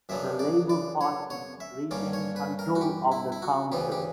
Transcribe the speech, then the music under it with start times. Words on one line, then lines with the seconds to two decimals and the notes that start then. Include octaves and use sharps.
The Labour Party retained control of the council.
0.09 F#2 C#3 F#3 B3 D4 E5
0.39 D5
0.70 D5
1.01 C#5
1.30 C#5
1.60 E5
1.91 G2 D3 G3 A#3 C#4 D5
2.13 C#5
2.36 B4
2.59 A#4
2.75 F#4
2.81 G4
3.12 E4
3.32 E4
3.42 F#4
3.72 D2 C#3 E3 B3 G4
3.92 G4